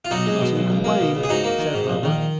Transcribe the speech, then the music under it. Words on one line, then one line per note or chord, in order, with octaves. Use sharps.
"We mustn't complain," said Herbert.
F4
B1 D#4 F#4
G#3
B2
B1
C#2
A#3
B2
C#2
G#4
G#2 D#4 F#4
A#3
D#3
G#2
A#1
D#3